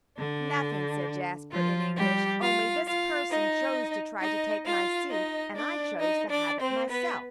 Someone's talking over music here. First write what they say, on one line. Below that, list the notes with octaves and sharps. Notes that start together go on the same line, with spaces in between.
"Nothing," said Jasper, in English, "only this person chose to try to take my seat, and I chose to have it myself."
D3 D4
F3 F4
G3 G4
F4 F5
F4 F5
D#4 D#5
D#4 D#5
F4 F5
D#4 D#5
D4 D5
D#4 D#5
D4 D5
C4 C5
B3 B4